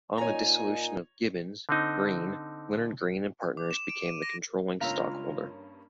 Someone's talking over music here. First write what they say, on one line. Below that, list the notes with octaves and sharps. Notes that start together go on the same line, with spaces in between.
On the dissolution of Gibbons, Green; Leonard Green and Partners became the controlling stockholder.
A#2 D#4 C#5 G#5 A#5
D3 C4 D#4
D6
E7
D7
D#7
A#6
C#2 G2 A#3 C#4 F4 F5 A#5 E6